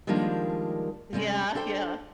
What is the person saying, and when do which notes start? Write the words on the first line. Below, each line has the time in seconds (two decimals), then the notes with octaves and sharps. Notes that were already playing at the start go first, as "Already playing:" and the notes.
Yeah. Yeah.
0.07 D#3 F3 G3 G#3 A#3 D4
1.13 C3 G3 G#3 C#4
1.55 D4 A4 C5 G5